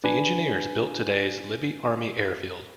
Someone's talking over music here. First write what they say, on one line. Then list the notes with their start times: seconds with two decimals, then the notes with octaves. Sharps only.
The engineers built today's Libby Army Airfield.
0.04 D4 B4 G#5